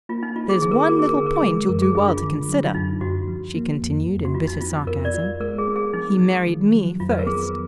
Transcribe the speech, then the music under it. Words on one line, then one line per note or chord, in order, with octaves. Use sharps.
There's one little point you'll do well to consider," she continued, in bitter sarcasm, "he married me first.
A#3 F4
D#4
D#4 F4
G#4
D#3 G#4
A#4
G#4
F#4 A#4
G#4
A#4
D3 G#4
A#4
G#4
G#3
F#2 A#4
G#4
D4 G#4
F4
D3
F#3
F4
F#2 D#4
F#2 F#4
F3
A#3
F2
F2
F#4
F3 F4
D#4
B3 F4
F2 A#4
D5
F4
G#3 A#4
G#4
B3
G#4
F3 D#4
F3
D#3
F#3
F2 F4
B4
A#4
B3 G#4